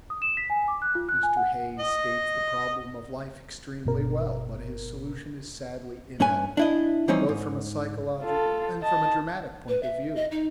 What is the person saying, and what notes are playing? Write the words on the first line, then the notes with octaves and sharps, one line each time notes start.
Mr. Hayes states the problem of life extremely well, but his solution is sadly inadequate both from a psychological and from a dramatic point of view.
D#6
E7
B6
G#5
D6
F#6
F4
F#6
G#5
F#5
D#5
G1 B2 A#4
G2 C#4 B4 G#5
D4 E4 D#5
E3 F3 G3 C4 C#4 D#4
G#2
F4 A4
D#5 A5
B4
E5
D#5
D#4